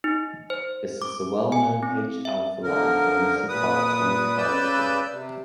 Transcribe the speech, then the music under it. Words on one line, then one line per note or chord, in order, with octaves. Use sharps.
This is the well-known H-alpha line emitted by atomic hydrogen.
D#4
C5
D6
G#5
C4
E5
D3 F3 A#4
A#2 B4 D#6
C#3 B4 D5 E6 G6
C3